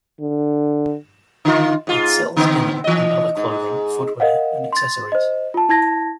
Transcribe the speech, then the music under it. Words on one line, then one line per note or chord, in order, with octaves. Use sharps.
It sells denim, and other clothing, footwear, and accessories.
D3
D3 D#3 F4
G#2 F4
D3 B3 C4
E3 D#5
G#2
A#4 D#5 F5 F#5
C6 A6
C5 D#5
F4 A5
E4 A5 G#6 A#6